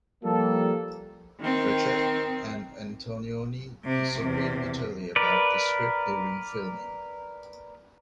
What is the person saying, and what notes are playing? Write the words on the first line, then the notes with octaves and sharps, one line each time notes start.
Frechette and Antonioni disagreed bitterly about the script during filming.
F3 G3 A#3 A4
D#3 C4
C3
E2 C3
A#4 B4 D5